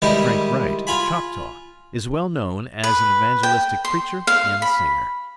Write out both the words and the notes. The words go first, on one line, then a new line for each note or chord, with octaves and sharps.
Frank Wright, a Choctaw, is well known as an evangelistic preacher and singer.
D#3 G3 G#3 E4 G4
F4 G#5 B5
B4
G5
C6
F5
B5